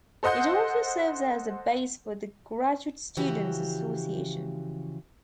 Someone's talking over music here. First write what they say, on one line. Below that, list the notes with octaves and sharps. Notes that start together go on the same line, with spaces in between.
It also serves as the base for the Graduate Students' Association.
A4 C5 D#5 F#5 C6 G6
C#3 E3 F3 F#4 G4